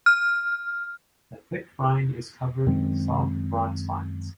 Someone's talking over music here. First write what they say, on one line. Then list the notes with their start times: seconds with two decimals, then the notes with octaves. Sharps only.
The thick rind is covered with soft, broad spines.
0.06 F6
2.66 F#2 D#3 G#3 C4